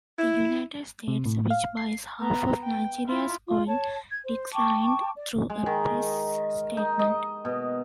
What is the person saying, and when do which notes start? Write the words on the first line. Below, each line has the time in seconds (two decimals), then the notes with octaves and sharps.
The United States, which buys half of Nigeria's oil, declined through a press statement.
0.19 E4
1.08 C3
1.26 A2
1.50 F5
1.77 C7
2.21 B3 A#5
2.63 G5
3.07 E4 F4
3.46 F4
3.67 C#5 A5
4.10 G#6
4.23 C5
4.52 G5 A5 C#6 D6
5.15 D5
5.50 G#3
5.66 D#3
6.77 D#4
6.99 D#5
7.45 B2